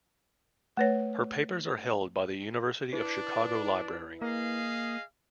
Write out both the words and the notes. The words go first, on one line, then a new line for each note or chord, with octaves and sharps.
Her papers are held by the University of Chicago Library.
A3 B4 C#5
D4 E4 B4 D5
A#3 G#4 D#5 F5